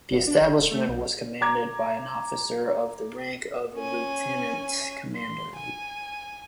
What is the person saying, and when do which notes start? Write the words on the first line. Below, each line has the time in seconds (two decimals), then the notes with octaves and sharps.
The establishment was commanded by an officer of the rank of Lieutenant Commander.
0.12 F#1
0.27 D4
0.41 G1
0.58 D1
0.71 A3
0.88 B1
1.41 A#5 D6 G#6
3.75 C#4 G#5
5.16 C6
5.56 G#5